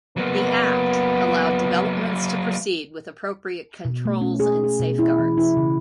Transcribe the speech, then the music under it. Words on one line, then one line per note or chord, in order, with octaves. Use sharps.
The Act allowed developments to proceed with appropriate controls and safeguards.
F#3 A#3 B3
B2
A3
C#4
G#4
G#4
B2
E4
E3
E4
C#3